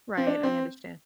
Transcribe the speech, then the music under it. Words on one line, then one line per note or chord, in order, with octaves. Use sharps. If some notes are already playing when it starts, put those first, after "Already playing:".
Right. I understand.
C4
D4
C4